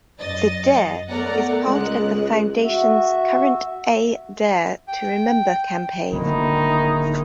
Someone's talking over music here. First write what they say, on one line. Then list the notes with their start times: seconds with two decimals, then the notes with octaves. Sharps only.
The "dare" is part of the foundations current A Dare to Remember campaign.
0.20 F#2 D#5 A6
1.08 A3 B3 A#4 D5 F#5
1.65 C#2 G#3 F#6
2.63 F#4 E5
4.88 G5
6.12 D1 D2 D3 D#3 G#3 A#3 D#4 E4